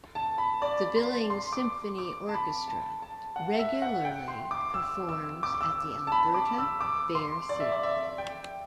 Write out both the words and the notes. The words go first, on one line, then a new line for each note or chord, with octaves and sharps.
The Billings Symphony Orchestra regularly performs at the Alberta Bair Theater.
A5
B5
D5
C6
C6
D6
D6
A5
B5
A5
A5
F#5
E5
F#5
G5
C6
D6
E6
E6
D6
E6
A5
B5
D6
E6
D6
C6
D5
E5
D5
E5
G5